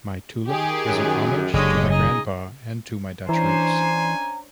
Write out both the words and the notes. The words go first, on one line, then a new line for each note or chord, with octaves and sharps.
My tulip is an homage to my Grandpa and to my Dutch roots.
D#3 G4 G#4
F#2
F#1 D3 G#3 G4 C#5 D#5
C#3 D#4 G#4 D#5
E3 C#4 D4 C5 G#5 A#5